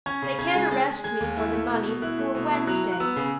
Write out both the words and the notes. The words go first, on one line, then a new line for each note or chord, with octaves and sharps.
They can't arrest me for the money before Wednesday.
C#4 G#6
C#3
C#3 G#6
G#3
G#3 A6
G#3
G#3 G#6
D#2
E4
A3
B2
B2
E4 F#6
A3
B2
E4
F#3 F#6
F#3
F#6
B3 E6
C#3